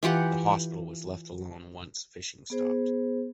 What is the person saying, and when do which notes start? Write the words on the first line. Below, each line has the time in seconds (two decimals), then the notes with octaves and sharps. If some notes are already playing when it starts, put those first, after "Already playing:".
The hospital was left alone once fishing stopped.
0.03 E3 F4 G4 F#5
2.50 B3 G#4 C5